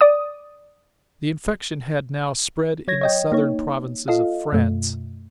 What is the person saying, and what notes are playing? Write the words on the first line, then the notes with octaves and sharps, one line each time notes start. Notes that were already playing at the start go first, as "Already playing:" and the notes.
The infection had now spread in the southern provinces of France.
D5 D#6
F#3 C#5 G#6 A#6
C#5 D#5 G5
A#3 D#4 C#5
F4 A4 D#5 F5
F#2 B2 A3